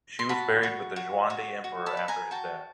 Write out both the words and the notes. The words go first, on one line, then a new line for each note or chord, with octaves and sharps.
She was buried with the Xuande Emperor after his death.
C6
F#4 A5 B5
F#4
F#4
F#4
F#4
A5 B5
B4
G#5 A#5
F#4 G5 A5